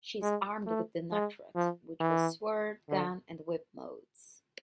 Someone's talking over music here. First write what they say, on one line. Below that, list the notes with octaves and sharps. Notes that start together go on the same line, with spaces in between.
She is armed with the Necrod, which has sword, gun, and whip modes.
G#3
A3
G#3
F3
E3
D3